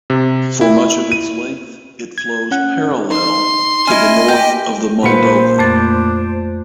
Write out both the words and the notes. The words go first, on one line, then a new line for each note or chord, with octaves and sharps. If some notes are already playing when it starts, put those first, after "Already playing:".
For much of its length it flows parallel to the north of the Moldova.
C3
E4
D#7
G#6
C#4 F#5 F#6
D#4 C6
C#4 E4 D#5 G#5
G4 G5
A#2 B4 C5 C#7
F2 A3 D4 A6